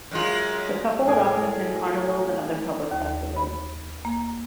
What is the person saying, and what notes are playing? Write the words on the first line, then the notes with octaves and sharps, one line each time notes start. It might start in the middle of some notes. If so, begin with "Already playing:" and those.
The couple would often attend carnivals and other public festivals.
F#2 G#3 F4
A2 G#4 A#4 G#5
D#2
B5
A#3